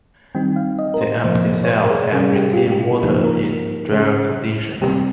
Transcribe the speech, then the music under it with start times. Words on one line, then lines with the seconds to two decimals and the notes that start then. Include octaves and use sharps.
The empty cells help retain water in drier conditions.
0.35 D#3 G3 C4 D#4 G5
0.56 F5
0.79 D#5
0.94 A#4
1.01 C5
1.24 C3 F3 A#3 C5
1.64 C#5
1.68 C5
1.84 A#4
1.91 G#4
2.13 C3 G3 C#4 G#4
2.36 G4
2.53 F4
2.57 G4
2.72 G4
2.79 F4
3.02 C#3 F3 A#3 D#4 G4
3.25 A#4
3.92 C#3 G#3 C#4 G#4
4.81 C3 G3 C4 G4